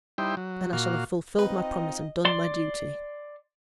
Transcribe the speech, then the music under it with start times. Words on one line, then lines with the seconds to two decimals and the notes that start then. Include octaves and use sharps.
Then I shall have fulfilled my promise, and done my duty.'
0.18 G3 D#4 E4 C5 G5
0.37 F#3
0.73 A#2 F#4 F5
1.39 C4 D#4 F4 B4 D#5 G5
2.25 D5 C6